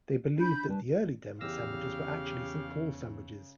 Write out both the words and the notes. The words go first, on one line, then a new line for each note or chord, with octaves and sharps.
They believed that the early Denver sandwiches were actually Saint Paul sandwiches.
D4 B5 G6
G3 B4 A5
E2 C#3 G4 F5 E6 A#6